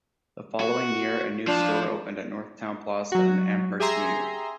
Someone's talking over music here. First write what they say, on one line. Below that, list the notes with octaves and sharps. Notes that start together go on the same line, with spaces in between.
The following year a new store opened at Northtown Plaza in Amherst, New York.
F#4
F3 D4
F#3 F#4
G4 G#4 E5 G#5 A#5 C6